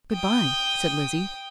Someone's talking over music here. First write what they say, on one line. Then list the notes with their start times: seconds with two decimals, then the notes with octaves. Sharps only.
"Good-bye," said Lizzie.
0.13 G5 D#6